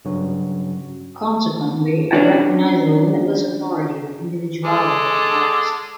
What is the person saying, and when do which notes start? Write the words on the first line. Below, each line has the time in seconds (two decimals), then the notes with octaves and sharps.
Consequently I recognize the limitless authority of individuality of the artist ...
0.05 G2 C#3 F#3 C#4 F#4
2.13 C#4 D4 F#4
4.65 G#3 A4 D6